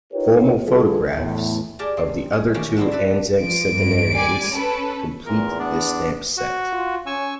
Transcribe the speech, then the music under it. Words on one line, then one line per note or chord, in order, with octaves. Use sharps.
Formal photographs of the other two Anzac centenarians complete this stamp set.
D#4 F4 G4 A#4 B4 C#5
D3 G3 F4 G#4 A4
E2 A2
G4 G#4 A#4 D5 G5 A5
C4
G#4
D#3 E3 A#3 C#4 G4
A3 B3 C4 D4 E4
A4 B4 D5 E5
F3 D7
G2
G3 D5 G#5
C#4 A4 B4
E2 A#2 A#4
B3 D4 D5
F#4
F4
C#4 G#5 C#6 E6